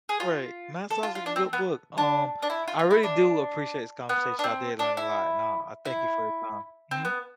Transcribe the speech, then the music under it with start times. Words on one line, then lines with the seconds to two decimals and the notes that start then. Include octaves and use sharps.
Right, and that sounds like a good book, um, I really do appreciate this conversation. I did learn a lot, nah, I thank you for your time, mhm,
0.09 G#4
0.20 F4
0.91 A4
1.03 F4
1.15 F4
1.26 D4
1.36 C4
1.53 B3
1.98 D4
2.42 D4
2.50 E4
2.68 F4
2.79 F4
2.91 E4
3.03 D4
4.09 B3
4.39 D4
4.44 C4
4.79 D4
4.97 E4
5.85 E4
6.91 C4
7.05 B3